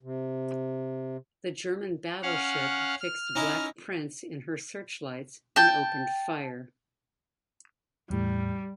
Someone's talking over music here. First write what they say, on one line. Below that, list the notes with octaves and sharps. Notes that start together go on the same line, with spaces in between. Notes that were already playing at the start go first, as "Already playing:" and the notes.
The German battleship fixed "Black Prince" in her searchlights and opened fire.
C3
C#4 F5 F#5
F6
C#4 D#4 E4
G5 A5
E2 A2 G3